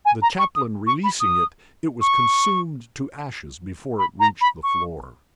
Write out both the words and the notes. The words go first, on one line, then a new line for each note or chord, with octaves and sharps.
The chaplain releasing it, it was consumed to ashes before it reached the floor.
G#5
A#5
C#6
D#6
C#6
B5
D#6
C#6
B5
A#5
B5
C#6